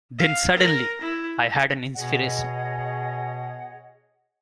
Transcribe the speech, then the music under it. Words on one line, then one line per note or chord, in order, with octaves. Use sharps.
Then suddenly I had an inspiration.
F5
A#4
E4
B2 G#4 C#5 D#5 F#5